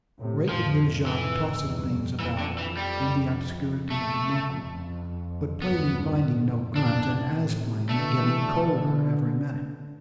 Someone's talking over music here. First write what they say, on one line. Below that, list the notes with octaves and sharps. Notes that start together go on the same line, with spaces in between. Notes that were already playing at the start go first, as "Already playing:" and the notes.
Ray could hear Jacques tossing things about in the obscurity of the milk-room, but plainly finding no guns, and as plainly getting colder every minute.
A2 C3
F2 A2 F3
E3
E2 G2
F2
F2 E3
D3
E3
G3
A3
F2
E2 G2 B3
E2 G2
F2 A2
D4
A2 C3
B2 D3 A3
C3 E3
B2 D3